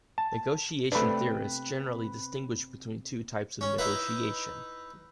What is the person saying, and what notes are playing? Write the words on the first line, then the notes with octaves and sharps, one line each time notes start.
Negotiation theorists generally distinguish between two types of negotiation.
A5
C3 A3 B3 C4 D4 B4 B5
C#4
D#4 E4 B4